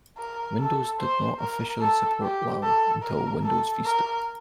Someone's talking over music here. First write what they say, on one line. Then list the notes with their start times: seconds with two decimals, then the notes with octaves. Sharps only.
Windows did not officially support Lao until Windows Vista.
0.18 A#4
0.60 A4
1.00 C5
1.40 A#4
1.81 A4
2.22 G4
2.63 A4
3.03 A#4
3.44 A4
3.85 A#4